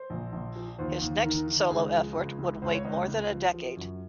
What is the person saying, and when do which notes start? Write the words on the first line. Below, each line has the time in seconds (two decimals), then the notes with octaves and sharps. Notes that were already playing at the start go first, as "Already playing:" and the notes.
His next solo effort would wait more than a decade.
Already playing: C5
0.10 A#1
0.32 A#1
0.56 F3
0.78 D#2 C5
1.01 D#2
1.24 D#3 A#4
1.48 D#3
1.70 C#2 G#4
1.93 F3
2.16 C#2
2.39 C#2
2.62 C#2 C5
2.74 C#5
2.85 C#2 D#5
3.08 C#2
3.31 F3
3.54 F3
3.77 F#2